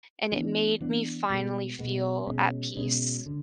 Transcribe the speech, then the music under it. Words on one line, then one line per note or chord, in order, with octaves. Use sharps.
and it made me finally feel at peace,
E3 B3 D4
E3 B3 D4
B2 G#3 B3
B2 G#3 B3
B2 G#3 C#4
B2 G#3 C#4
D3